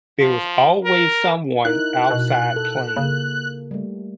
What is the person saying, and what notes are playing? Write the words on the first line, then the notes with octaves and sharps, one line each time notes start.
there was always someone outside playing.
F3
A#4
D#4 E4 A#4 F#6
B2
A4
C#3 A#3
G3 A3